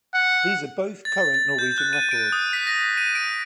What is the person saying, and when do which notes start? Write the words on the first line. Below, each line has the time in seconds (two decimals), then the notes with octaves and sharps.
These are both current Norwegian records.
0.14 F#5
1.05 A6
1.18 A6
1.34 A6
1.59 G6
1.78 F#6
1.93 D#7
2.11 D7
2.32 D#6
2.53 B6
2.67 A#6
2.97 D#7
3.15 D7